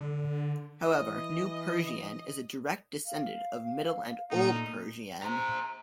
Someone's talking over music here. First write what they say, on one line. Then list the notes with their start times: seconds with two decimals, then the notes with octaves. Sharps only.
However, New Persian is a direct descendent of Middle and Old Persian.
0.01 D3
0.83 E3 D#5
3.05 F5
4.30 A#2 A3 D#4
5.22 C5 A#5